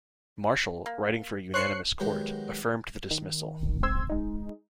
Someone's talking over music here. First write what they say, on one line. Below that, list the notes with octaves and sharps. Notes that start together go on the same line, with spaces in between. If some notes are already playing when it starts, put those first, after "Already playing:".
Marshall, writing for a unanimous court, affirmed the dismissal.
A#3
D4 C5 C#5 F#6 C7 C#7
D#3 F#3 G#3 B3 G4
D#3
G#2 C4 C6 E6 G#6
G#3 D#4